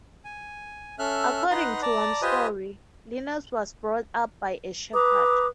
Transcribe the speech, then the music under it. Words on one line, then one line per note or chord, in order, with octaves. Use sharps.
According to one story, Linus was brought up by a shepherd.
G#5
C#4 A4 E5 F6 F#6
D#4 B4 F#5 A#5 C6
D5 A5 A#5
F4 G4 B4 C5 D#5 G#5
B4 A#5 D6 D#6